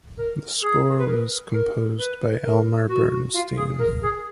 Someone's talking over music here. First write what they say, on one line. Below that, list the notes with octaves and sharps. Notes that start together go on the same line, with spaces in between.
The score was composed by Elmer Bernstein.
A#4
G#4
B4
A#4
A#4
B4
A#4
F#4
F4
G#4
A#4
G#4